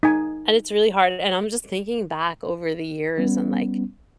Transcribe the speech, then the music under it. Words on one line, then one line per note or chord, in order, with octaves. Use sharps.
And it's really hard, and I'm just thinking back over the years and like
D#4 G#5
G3 B3 C#4